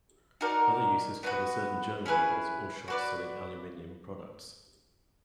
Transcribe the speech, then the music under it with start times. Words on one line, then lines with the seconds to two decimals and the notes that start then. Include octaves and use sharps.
Other uses cover certain German medals or shops selling aluminium products.
0.41 D#4 F#4 A#4 D5
1.23 B3 D#4 F#4 B4
2.06 C#4 E4 G#4 B4
2.88 F#4 B4 D5